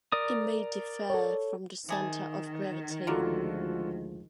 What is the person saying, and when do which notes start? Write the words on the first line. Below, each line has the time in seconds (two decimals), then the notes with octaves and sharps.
It may differ from the centre of gravity.
0.12 A#4 D5 D#6
1.10 A4 C#5
1.89 C3 D#3 G#4 A5
3.07 D2 D3 F3 G#3 F4 F#4 A4 A#4